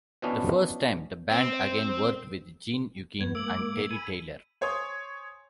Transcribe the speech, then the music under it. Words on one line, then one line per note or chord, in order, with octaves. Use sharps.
The first time, the band again worked with Gene Eugene and Terry Taylor.
B2 E3 F3 B3 C#4 D4
C4
G2 B3 G#6
G#2 A#3 D6 E6 F#7
G#5 B5 D#7
C5 C#5 G#5 C6 D#6